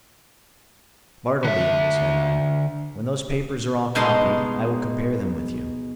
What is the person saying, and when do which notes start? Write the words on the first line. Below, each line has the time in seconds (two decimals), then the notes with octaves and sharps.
"Bartleby," said I, "when those papers are all copied, I will compare them with you."
1.44 D3 E5
3.95 B2 G#3 D#4 A5 A#5 C6